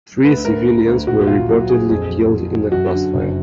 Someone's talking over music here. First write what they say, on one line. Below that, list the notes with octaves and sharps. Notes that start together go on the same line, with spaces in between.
Three civilians were reportedly killed in the crossfire.
D2 B4
D2 A#4
D2
D2
A#1 F#4
A#2 F4
F#3 F#4
A#1 G#4
F2 G#4
F#3
F#3
F#3
F#2 F#4
D3
F#1